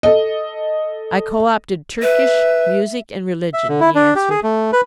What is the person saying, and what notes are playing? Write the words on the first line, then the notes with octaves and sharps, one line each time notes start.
"I co-opted Turkish, Music, and Religion," he answered.
A4 D#5
B4 E5
E5
D3
E4
D4
G4
G#4
A3
B4